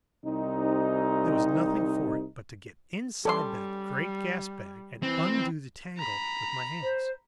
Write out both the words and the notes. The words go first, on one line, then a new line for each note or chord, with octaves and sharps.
There was nothing for it but to get inside that great gas-bag and undo the tangle with my hands.
C2 C3 D#4
G3 C#4 A4 D5 C6
E3 C4
A#5 B5
C5